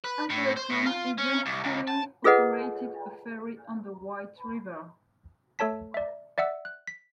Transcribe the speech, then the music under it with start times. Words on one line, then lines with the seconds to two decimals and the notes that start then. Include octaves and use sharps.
Hazleton eventually operated a ferry on the White River.
0.04 B4
0.30 A2
0.56 C5
0.70 A2
0.86 F4
1.18 C#4
1.46 C2
1.64 C#2
1.88 A5
2.24 F4 G#4 A4 B4 D#5 F#5
5.59 A3 A4 C#5 A5 B6
5.94 D5 E5
6.38 D5 E5 F#5 E6
6.65 F#6
6.87 B6